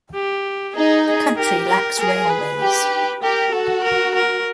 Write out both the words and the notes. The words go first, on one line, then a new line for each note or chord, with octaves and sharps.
The country lacks railways.
G4
D#4 G#4
G#4
G4 A#4
A#4
G#4 A#4
B4
G4
G4 A#4
F#4 A4
A#4
A#4